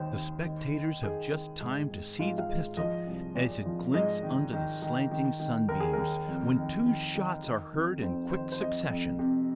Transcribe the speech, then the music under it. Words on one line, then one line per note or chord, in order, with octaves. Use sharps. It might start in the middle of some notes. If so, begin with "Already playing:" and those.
The spectators have just time to see the pistol--as it glints under the slanting sunbeams--when two shots are heard in quick succession.
Already playing: D#2 D#3 C5
D#2
D#3
D#3
D#3 G#4
D#3
G#2
G#2
G#2 F4
F5
G#2
F3 D#5
C2
A#2
F3
G#2 D#5
D#3
D#3
D#3
D#3
D#3
D#2 A#4
G#4
D#2 A#4
F2
D#3
D#3
D#3
D#3
F2
F2 C5
D#3 C5
C5
F2 D#5
F2
C3